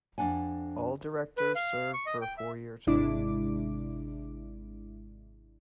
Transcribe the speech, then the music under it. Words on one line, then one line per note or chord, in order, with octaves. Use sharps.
All directors serve for a four-year term.
F2 B3 D4 F#5 G#5
B4
F5
C#6
D#5
G5
E5
G#1 C3 G#3 D4 E4 D6